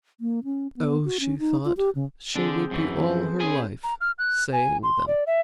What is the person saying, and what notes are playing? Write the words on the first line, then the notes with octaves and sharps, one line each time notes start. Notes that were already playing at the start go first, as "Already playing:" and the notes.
Oh, she thought, she would be all her life saying them!
A#3
C#4
B3
F#4
C#4
D#4
F4
G4
C#3
D3 C4 D4 G#4 C5
F#2 E3
B3 B4 C5
G#4 A4
C#4 G#4 B4 C5 G#5
A#5
F6
F#6
G#5
C6
D5
E5